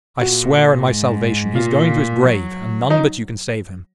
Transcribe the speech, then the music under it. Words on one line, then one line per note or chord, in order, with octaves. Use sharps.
I swear, on my salvation, he's going to his grave, and none but you can save him!'
A#2 F#4
G#2
A#2 F4
F#3
D#4